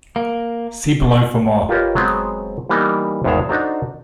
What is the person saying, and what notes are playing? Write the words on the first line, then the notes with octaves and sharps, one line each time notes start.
See below for more.
A#3
F4 G4 A#4 B4 C#5 D#5
F#3 G#3 B3 C4
E3 G3 A#3 B3 D#4
G#1 E2 A2 G#3 F5 A5
D4 D#4 F#4 A4 C5 A#5